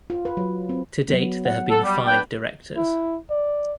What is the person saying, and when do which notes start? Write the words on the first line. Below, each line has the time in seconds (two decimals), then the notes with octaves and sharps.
To date there have been five Directors.
0.10 F4
0.25 B4
0.37 F#3
0.69 C4
1.09 F#3 B3
1.45 F#5
1.71 A4
1.84 G3
2.07 D4 B4 G5
2.77 E4
3.30 D5